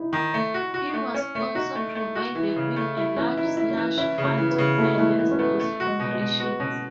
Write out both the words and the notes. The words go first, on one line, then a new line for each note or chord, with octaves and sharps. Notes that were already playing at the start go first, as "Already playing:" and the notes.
He was also provided with a large slush fund to finance these operations.
Already playing: D#4 E4
D#3
A3
F#4
F#4
A3
C#4
A3
D#4 F#4
A3
A3
F#4
E3
C#3
A3
E4
E3 C#4
E4
D#4
E4
C#4
E3
C#4 E4
C#3
C#4
E3
B3
C#3
A3 E4
G#3
E3 A3
E3 B3
C#4
A3 B3
A3
F#4
G#3
B2
G#3
B2
B3 F#4
B2 C#4